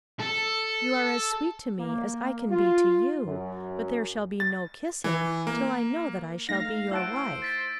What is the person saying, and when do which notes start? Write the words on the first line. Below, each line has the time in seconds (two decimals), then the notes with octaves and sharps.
You are as sweet to me as I can be to you, but there shall be no kissing till I know that I shall be your wife.
0.20 A4
1.78 A#3
2.49 F4
3.26 F#2
4.40 A6
5.04 E3
5.47 A#3
6.49 A3 D#4 F5 A#6
6.91 E4 C5 F#5 A5 E6 D7
7.42 A6 B6